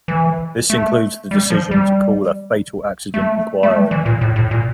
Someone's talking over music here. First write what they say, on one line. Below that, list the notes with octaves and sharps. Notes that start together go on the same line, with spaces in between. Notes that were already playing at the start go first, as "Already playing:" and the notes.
This includes the decision to call a Fatal Accident Inquiry.
E3
A3
G3
F3
G3
A3
A3
G3
E3
A#2
A2
A2
A#2